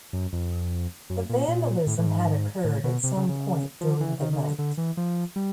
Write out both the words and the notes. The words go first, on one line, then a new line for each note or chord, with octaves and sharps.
The vandalism had occurred at some point during the night.
F#2
F2
F#2
A#2
A#2
A2
A2
G#2
A2
B2
C3
C#3
C#3
F3
E3
D#3
D#3
D3
D3
E3
F3
G3